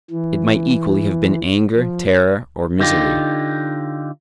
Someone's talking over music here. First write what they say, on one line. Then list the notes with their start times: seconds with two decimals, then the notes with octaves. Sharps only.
It might equally have been anger, terror or misery.
0.11 E3
1.73 F3
2.79 D3 D#4 F4 G4